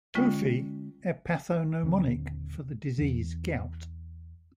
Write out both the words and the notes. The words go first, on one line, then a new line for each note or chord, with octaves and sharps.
Tophi are pathognomonic for the disease gout.
D3 G#3 C#4 F4 G5
D#1 D3 C4
E2 E3